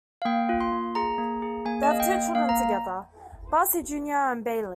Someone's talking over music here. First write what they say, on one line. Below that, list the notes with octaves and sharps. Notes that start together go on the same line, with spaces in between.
They have two children together, Bracey Junior and Bailey.
F5
A#3 G5
F4
C6
A#3
G#4 A#5
A#3
G#4
A#3 G#5
D#5
A#3 F5
G5
A#3
A#3 F5
A#5